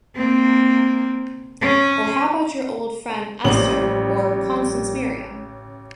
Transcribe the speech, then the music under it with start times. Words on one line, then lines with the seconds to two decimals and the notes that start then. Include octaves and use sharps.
Or how about your old friend Esther — or Constance Merriam?
0.16 A#3 C4
1.61 C#4
3.44 A1 A#2 F3 G3 F#7